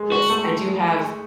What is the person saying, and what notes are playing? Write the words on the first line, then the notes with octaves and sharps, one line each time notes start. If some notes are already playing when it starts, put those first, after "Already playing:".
Yes, I do have
Already playing: G#3
F#4
A3